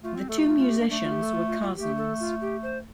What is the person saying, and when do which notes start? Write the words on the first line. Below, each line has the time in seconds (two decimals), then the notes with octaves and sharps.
The two musicians were cousins.
0.03 A3 F4
0.16 C4
0.28 A3 A4
0.38 G4
0.47 F4
0.58 F4
0.69 G4
0.79 D4
0.89 A3 D4
1.03 F4
1.12 G4
1.23 A4
1.33 F4
1.47 F4
1.62 F4
1.76 A3 G4
1.98 A4
2.20 F4
2.41 G4
2.63 C5